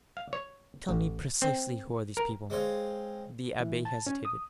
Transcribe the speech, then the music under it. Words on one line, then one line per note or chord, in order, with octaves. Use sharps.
"Tell me precisely who are these people." The abbe hesitated.
F5
C#5
A1
C4
A#4
G#3 C4 C#5 F5
E3
A5
C#4
D#6